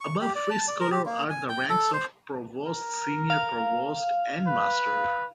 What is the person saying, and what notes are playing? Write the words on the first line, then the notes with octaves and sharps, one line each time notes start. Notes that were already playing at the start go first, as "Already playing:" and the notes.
Above Free Scholar are the ranks of Provost, Senior Provost, and Master.
C#6
G4
D5
A5
D5
A#4
G4
A#3
G#5
G5
A4
C5
A#4
F5
B4